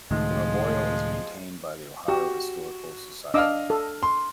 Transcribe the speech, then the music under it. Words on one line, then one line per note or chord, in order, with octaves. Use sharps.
The memorial is maintained by the Ohio Historical Society.
C#2 A2 D#3 F3 G#3 C6
F#4 G4
D4 D#5 F5 D6 E6 F6
A4
C6